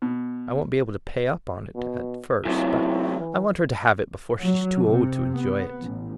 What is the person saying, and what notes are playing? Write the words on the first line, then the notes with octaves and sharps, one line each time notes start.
I won't be able to pay up on it at first, but I want her to have it before she is too old to enjoy it.
B2
B2
F#2 C3 E4
E3
F#3
C3
B3
A1